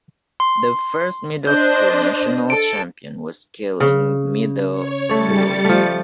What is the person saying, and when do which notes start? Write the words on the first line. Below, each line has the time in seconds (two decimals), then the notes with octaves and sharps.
The first middle school national champion was Kealing Middle School.
0.40 C6
1.47 D4 C5 D#5 G6
2.50 A4 D7
3.80 C#3
4.72 C#5
5.09 G3 A3 C#5 A6 C#7
5.65 F3 A3